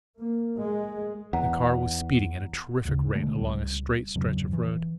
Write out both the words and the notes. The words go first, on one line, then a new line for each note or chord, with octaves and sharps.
The car was speeding at a terrific rate along a straight stretch of road.
A#3
G#3
E2 F#5 A#5
D2 C#3
B2 D3 G#3 A3
C#2 G3
G1 E2 C#3 F#3
E3